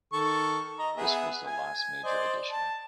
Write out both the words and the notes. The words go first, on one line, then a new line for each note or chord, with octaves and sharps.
This was the last major addition.
D#3 A4 C#6
D#5 A#5
B3 G#4 E5
G#5
C5 D5 D#5
A5